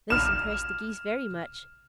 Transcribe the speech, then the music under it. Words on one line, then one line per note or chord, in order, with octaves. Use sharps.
This impressed the Geese very much.
F6 E7